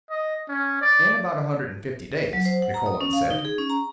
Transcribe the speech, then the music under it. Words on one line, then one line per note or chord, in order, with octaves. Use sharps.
In about a hundred and fifty days, Nikkolon said.
D#5
C#4
D5
F#3
C5
F#5
A#5
D#6
C#4
F5
D#4
G#4
C#4
A#5